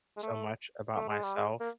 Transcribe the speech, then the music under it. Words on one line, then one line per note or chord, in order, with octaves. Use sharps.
so much about myself
G#3
A3
A3
G#3
G3
G#3
A#3